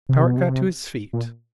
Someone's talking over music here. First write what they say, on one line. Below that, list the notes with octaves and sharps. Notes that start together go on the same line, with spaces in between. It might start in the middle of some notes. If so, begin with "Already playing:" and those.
Powart got to his feet.
C3
B2
C3
A#2